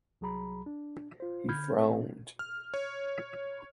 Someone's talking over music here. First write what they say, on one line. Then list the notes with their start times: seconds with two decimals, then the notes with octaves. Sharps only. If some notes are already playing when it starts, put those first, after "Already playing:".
He frowned.
0.21 C2 F#3 G#4 A#5 B5
0.66 D4
1.20 F4 C5
1.48 D3 B5 F6 G6 G#6
1.72 C4
2.39 F6
2.74 C#5